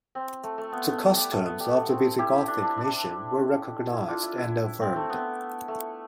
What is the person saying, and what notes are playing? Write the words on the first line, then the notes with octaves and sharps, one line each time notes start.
The customs of the Visigothic nation were recognised and affirmed.
C4
A3
A3
B3
B3
A3
G3
A3
B3
G3
A3
C4
E4 G4
E4
D4
D4
D4
E4
D4 F4
E4
E4
C4
A3
B3
A3